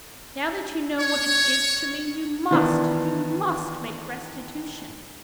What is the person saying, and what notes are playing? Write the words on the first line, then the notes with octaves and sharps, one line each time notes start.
Now that you know what it is to me, you must--you must make restitution.
C#5
D#3 E3 B3 D4 E4